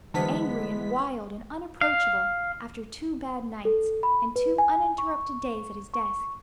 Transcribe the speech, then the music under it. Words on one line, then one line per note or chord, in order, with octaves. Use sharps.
Angry and wild and unapproachable, after two bad nights, and two uninterrupted days at his desk.
D3 E3 F#3 G#3 B3 C5 A5 B6
F5
A4
B5
B4
G#5
C#6
C#6